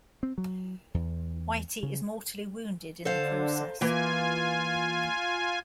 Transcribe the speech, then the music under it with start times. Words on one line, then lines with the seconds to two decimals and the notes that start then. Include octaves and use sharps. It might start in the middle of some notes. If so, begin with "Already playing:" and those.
Whitey is mortally wounded in the process.
0.23 C4
0.38 F#3
0.94 E2
1.83 C#3
3.05 D3 A4 C5 F5
3.81 E3 A#3 F4 G#5